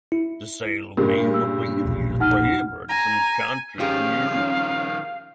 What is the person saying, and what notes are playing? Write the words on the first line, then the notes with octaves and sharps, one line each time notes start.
The sale of memorabilia is prohibited in some countries in Europe.
E4
G2 A#2 C#3 G4 A#4
E6
E1 A#1
D#4 F#5 F6
G#5 A#5
D#3 F3 C#4 G4 G#4 F5